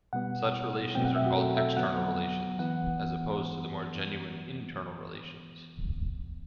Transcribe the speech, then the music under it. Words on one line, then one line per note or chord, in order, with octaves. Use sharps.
Such relations are called external relations, as opposed to the more genuine internal relations.
B2 G3 B3 F#5
B2 F#3 A3 C4 G5
F#5
E5
F#4
A4
E5
D3 F#3 B3 F#5
E3 B3 F#5